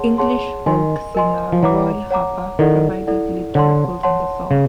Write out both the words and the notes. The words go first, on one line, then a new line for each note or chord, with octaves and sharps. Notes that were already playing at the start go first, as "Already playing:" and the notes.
English folk singer Roy Harper provided lead vocals on the song.
Already playing: G#4 C#5 F#5 A5 C6
G#4 C#5 F#5 A5 C6
D#3 A#4 D#5 G#5 C6
A#4 D#5 G#5 C6
F3
E3 C#5 F#5 A#5 D6
C#5 F#5 A#5 D6
D#3 E4 A4 D5 F#5
E4 A4 D5 F#5
D3 C#5 F#5 A5 C6
C#5 F#5 A5 C6
C#3 G#4